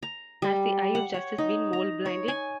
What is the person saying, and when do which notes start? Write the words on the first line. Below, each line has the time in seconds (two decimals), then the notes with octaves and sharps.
Has the eye of Justice been mole-blinded?
0.03 A#5
0.42 G3
0.95 F#5
1.14 C#5
1.38 D#4
1.73 A#5
2.05 C#5
2.28 G#5